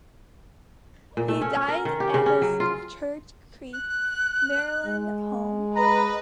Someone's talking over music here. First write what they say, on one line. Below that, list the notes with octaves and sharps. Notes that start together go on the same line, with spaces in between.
He died at his Church Creek, Maryland home.
A#2
A3
C#4
C#4
A#4
D#3
G4
C#3
C#4
F#3
F4
F#6
G#3
B4 D#5 A#5